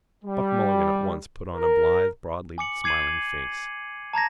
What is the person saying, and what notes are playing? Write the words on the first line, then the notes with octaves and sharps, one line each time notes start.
Buck Mulligan at once put on a blithe broadly smiling face.
G3
A#4
G#5 D6 C#7 F#7
D6 G#6 C7 D#7 F#7
A5 A#5 G#6 A#6